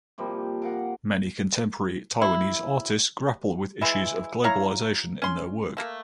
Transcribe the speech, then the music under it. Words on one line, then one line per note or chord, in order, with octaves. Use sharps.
Many contemporary Taiwanese artists grapple with issues of globalization in their work.
C3 F3 G3 A#3
A#4 F5 F#5
E4
E3 G#3 E4
E4 C#5 F5 A#5
C#4 C6
A3 A#3